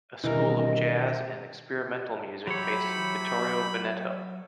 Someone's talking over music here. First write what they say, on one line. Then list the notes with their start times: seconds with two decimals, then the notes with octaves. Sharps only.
A school of jazz and experimental music based in Vittorio Veneto.
0.24 C2 B2 D#3 E3 D4 A#4 D#5
2.47 F#3 E4 G4 C5 C#5 B5